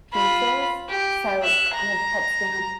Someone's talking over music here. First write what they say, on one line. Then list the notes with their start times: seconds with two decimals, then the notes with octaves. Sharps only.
pieces, so, it kind of cuts down
0.13 F4 B5
0.89 G4
1.43 E5 F#6
1.74 A#5